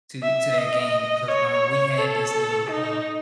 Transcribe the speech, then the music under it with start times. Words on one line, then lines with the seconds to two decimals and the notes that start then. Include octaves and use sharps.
to to that game 'cause, uh, we had this little, um
0.23 E5
0.58 D#5
1.28 C#5
1.99 A4
2.69 D#4